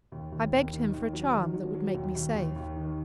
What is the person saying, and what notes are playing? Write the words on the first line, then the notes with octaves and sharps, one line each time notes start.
I begged him for a charm that would make me safe.
D#2
D#2
D#2
D#3
D#2
F#3
D#3
F#3
F#3
D#2
D#2
D#2
D#2
D#3